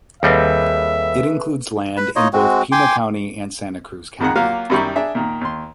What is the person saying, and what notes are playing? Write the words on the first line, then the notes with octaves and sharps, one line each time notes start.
It includes land in both Pima County and Santa Cruz County.
D#2 G3 C4 G#4 A4 B4 E5
B4 B5
D#4 F4 C#5 D#5
G#3 C4 F#4
G5 G#5 C6 D6
A#1 F2 D#3 G#3 F#5
F#3 A#3 F4 G4 F5 F#5
F#2 D#3 G3 E4 B5 C#6
D4 G#4 E5
A#2 D#3
D#2 C6